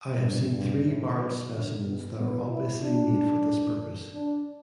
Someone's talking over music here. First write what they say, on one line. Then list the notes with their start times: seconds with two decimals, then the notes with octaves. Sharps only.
I have seen three barrelled specimens that were obviously made for this purpose.
0.18 G2
0.51 G2
0.85 A2
1.18 B2
1.50 D3
1.83 B2
2.16 B3
2.49 E4
2.82 D4
4.14 D4